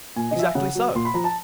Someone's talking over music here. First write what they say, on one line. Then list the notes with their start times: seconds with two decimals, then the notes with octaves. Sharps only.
"Exactly so."
0.16 A#2 G#5
0.31 D#5
0.35 F3 E5
0.48 F5
0.55 C#3 F#5
0.75 F#3
0.95 A#2 C6
1.05 B5
1.14 F3 A#5
1.24 A5